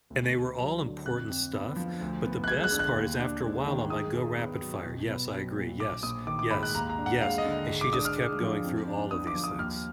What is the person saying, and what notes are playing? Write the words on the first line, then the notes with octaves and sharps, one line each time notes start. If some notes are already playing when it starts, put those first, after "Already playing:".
And they were all important stuff, but the best part is after a while, I'm like, "Go rapid fire. Yes, I agree. Yes, yes, yes." And she just kept going through all of these things.
D2
D2
F#3
D3
F2 F#6
F2
B3
F3
D2
B3
F#6
G#3 G#6
F#6
D3
F#6
D#2
D4
G#3
D#3
G#2 D#6
G#2
B3
F#3
B1
B3
F#3
A#2
A#1 D6
A#1 D#6
D#3 D6
D6
G#2 B5
F#6
D#2 A#5
A#5
D4
F#5
G#3 F5
D#5
D3
G#2
D6
D4 D#6
F6
G#3
F3
F2
D4
B3 D#6
D6
F3
D#6
D#2 F6